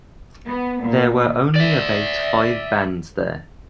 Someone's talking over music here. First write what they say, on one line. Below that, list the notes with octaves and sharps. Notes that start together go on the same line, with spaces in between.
There were only about five bands there.
B3
A#2
D5 E5